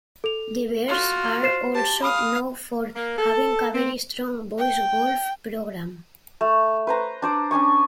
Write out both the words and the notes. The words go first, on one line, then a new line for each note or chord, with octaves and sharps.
The Bears are also known for having a very strong boys golf program.
A4 F7
F4 F#4
C5 C7 E7
G4 A5
F5 B5 D#6
A#3
A4
C4
G5
A3
B4 C5 A#5
D4 C5 D5
C#4 D4 G#5 C#6